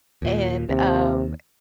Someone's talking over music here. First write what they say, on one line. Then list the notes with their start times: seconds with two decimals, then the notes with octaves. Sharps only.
And, um,
0.22 D#2 A#2
0.69 D#2 C3